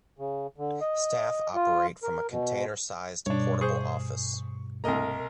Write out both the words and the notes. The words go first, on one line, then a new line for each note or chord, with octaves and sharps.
Staff operate from a container-sized portable office.
C#3
D3
D#5
F4
A#4
B2
G2 B2 D4 C#5
G#4 C5 C#6
C2 A3 A#3 A#4 D#5 A#5